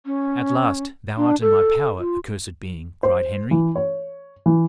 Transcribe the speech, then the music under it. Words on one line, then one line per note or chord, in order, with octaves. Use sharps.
"At last, thou art in my power, accursed being!" cried Henry.
C#4
D4
A4
F4
C5
E3
C#5
E3